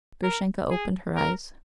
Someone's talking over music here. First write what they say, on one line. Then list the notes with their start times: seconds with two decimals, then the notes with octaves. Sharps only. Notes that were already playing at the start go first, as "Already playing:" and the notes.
Grushenka opened her eyes.
0.24 A#4
0.71 G#4
1.17 A#4